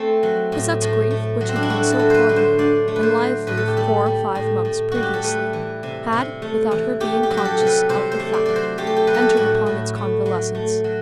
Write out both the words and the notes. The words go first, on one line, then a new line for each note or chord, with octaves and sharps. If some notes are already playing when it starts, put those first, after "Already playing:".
Cosette's grief, which had been so poignant and lively four or five months previously, had, without her being conscious of the fact, entered upon its convalescence.
Already playing: A3 C4
F#3
A2
A2
A3
F#3
C4
D4
E4
A3 F#4
A4
F#3
B4 C5
D3
C5
D3 D5
A3
B4
C5
F#3
A2 B4
A4
G4
G3 A4
G3
A2
A2
G3 F#4
G4
A4
A3 B4
E3
C3
C3
A3
E3
A3 G4
G4
F#3
G4
A4
C3
B4
C3 C5
C5
A3
D5
F#3 D5
C5
A3 G4
A4
G4
F#3 B4
A4
G4
F#4
A2 E4
A2
A3
F#3
A3
F#3